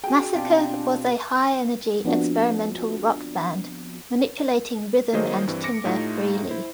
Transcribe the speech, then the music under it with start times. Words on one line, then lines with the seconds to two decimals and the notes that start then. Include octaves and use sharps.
Massacre was a high-energy experimental rock band, manipulating rhythm and timbre freely.
0.04 F#4 G#4 G5 G#5
0.35 B2 C4 D4 F4 G4
2.05 F3 B3 C4 D4 F4 F#4
5.13 D#3 F#3 A#3 G#4 C5 D#5
5.47 G2 E3 C4
5.64 D6 A#6 C#7 D7
5.85 A2 A3 D#4 F4 G4
6.49 E4 C5